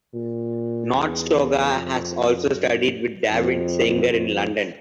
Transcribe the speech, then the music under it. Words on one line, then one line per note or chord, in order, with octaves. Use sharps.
Nordstoga has also studied with David Sanger in London.
A#2
E2
F2
F#2
F2
F2